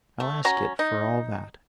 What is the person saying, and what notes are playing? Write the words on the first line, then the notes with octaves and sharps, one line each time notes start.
'I'll ask it for all that.
A3
C#4 F#4 A#5
D#4